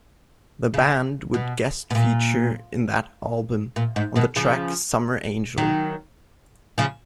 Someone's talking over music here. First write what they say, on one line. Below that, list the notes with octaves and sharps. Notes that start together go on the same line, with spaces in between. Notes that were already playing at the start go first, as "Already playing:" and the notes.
The band would guest feature in that album, on the track "Summer Angel".
C#3
B2
B2
A#2
A#2
G#2
B2 D#3
C#3 F3
D#3 F#3
C#3 F3